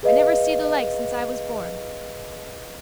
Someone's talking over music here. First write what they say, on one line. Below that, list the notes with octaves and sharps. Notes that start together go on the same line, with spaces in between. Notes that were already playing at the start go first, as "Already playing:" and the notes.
I never see the like since I was born.
G#4 B4 D#5 F5